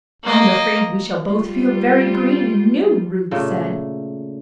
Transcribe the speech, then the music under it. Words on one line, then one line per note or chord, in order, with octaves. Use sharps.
"I am afraid we shall both feel very green and new," Ruth said.
A#3 D#5
G3 F4
A#2 C#3 A3